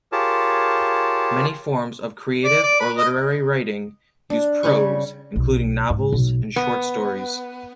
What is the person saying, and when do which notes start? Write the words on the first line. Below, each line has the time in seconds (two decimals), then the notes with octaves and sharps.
Many forms of creative or literary writing use prose, including novels and short stories.
0.12 F4 G4 G#4 A#4 C#5 A5
2.44 D5
2.63 D5
2.80 B4
2.97 D#5
4.30 D4
4.63 C#3 G3 G#5 C#6
5.36 B1
5.90 G#2
6.12 B1
6.56 B3